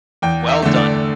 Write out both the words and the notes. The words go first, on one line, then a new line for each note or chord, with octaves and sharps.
Well done.
E2 G5
E5
D3 A3
D5